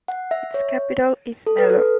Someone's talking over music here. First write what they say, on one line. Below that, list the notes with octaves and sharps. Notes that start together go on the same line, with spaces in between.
Its capital is Melo.
F#5
E5
C#5
A4
B4
A4